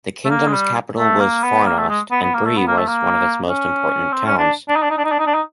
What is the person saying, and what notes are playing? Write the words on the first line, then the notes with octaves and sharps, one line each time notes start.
The kingdom's capital was Fornost, and Bree was one of its important towns.
A3
A#3
G#3
G3
A3
A#3
B3
A#3
A3
G#3
B3
B3
A#3
A3
B3
A#3
A3
A#3
C#4
C4
C#4
D4
D4
D#4
D4
D#4
D4
D#4
D4
D#4
D4
D#4